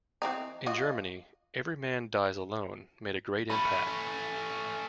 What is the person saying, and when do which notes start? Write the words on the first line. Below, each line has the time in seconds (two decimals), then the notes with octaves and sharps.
In Germany, "Every Man Dies Alone" made a great impact.
0.22 E3 C4 D#4
0.66 F4 F#4 D#5
3.50 A3 C#4 B5